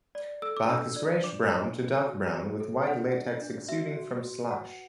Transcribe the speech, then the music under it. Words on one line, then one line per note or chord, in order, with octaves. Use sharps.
Bark is greyish brown to dark brown with white latex exuding from slash.
D5
A4 E6
D6
D4 E6
D5
D4 D6
D4
D4
F#4
F#4
A4
D4 F#5
D5
D4
F#4 E5
F#4
F#4
B4 F#5